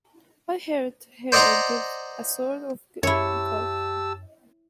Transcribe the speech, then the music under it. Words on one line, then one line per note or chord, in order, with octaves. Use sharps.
I heard her give a sort of gulp.
C5 D5 D#5 F#5 A#5 C6
F#2 E4 G4 C#5 A5 E6